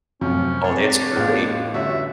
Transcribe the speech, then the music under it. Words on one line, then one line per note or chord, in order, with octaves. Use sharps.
Oh, that's great.
F#2 A2 C3 F3 C#4
D4 C#5
A1 B3 F4
G1 G3 C#4 F#4 E5